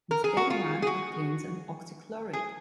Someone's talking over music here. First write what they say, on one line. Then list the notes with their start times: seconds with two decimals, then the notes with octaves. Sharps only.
Instead one obtains an oxychloride.
0.11 A#4
0.24 G#4
0.37 F#4
0.50 F4
0.82 G#4
0.87 F#4
2.33 G#4